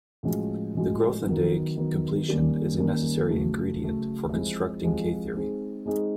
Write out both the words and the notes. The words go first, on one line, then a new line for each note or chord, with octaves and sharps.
The Grothendieck completion is a necessary ingredient for constructing K-theory.
A2 F3 G#3 C#4 F#4
A2 F3 G#3 C#4 F#4
D#3 F#3 B3
D#3 F#3 B3
D#3 G3 A#3 C#4
D#3 G3 A#3 C#4
C#3 F#3 A3
C#3 F#3 A3
F3 G#3 C4 E4 G4
F3 G#3 C4 E4 G4
G#3 C4 D#4 G#4
G#3 C4 D#4 G#4